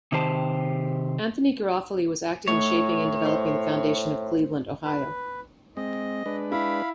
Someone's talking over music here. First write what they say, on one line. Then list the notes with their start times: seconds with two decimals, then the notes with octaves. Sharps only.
Anthony Garofoli was active in shaping and developing the foundation of Cleveland, Ohio.
0.12 C3 D#3 G4 C5 A5
2.48 A2 A3 D#4 C#5
3.24 E4 C5
4.85 B4
5.77 G#3 C4 D#5
6.26 G#3 D4 B4
6.52 E4 F5 B5